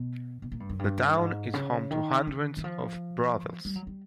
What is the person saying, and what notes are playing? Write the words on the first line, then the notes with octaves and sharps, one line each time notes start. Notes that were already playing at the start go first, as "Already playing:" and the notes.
The town is home to hundreds of brothels.
Already playing: B2
B2
A#2
G2
F#2
G2
G#2
C#3
D#3
D#3
E3
F3
G3
F#3
G3